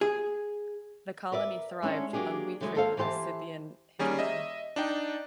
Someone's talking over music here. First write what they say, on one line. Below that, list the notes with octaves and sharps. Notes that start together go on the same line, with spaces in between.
The colony thrived on wheat trade with the Scythian hinterland.
G#4
A#4 B4 D5 E5
G#3 B3 C#4 D4 E4
F#3 A#3 D4 G4 G#4
D3 E3 F#3 G#3
D#2 A#3 A4 C5 E5 F5
E3 G4 C5 F#5 A5
D#3 G3 A#3 C#4 G#4
D#5 E5
D4 D#4 G5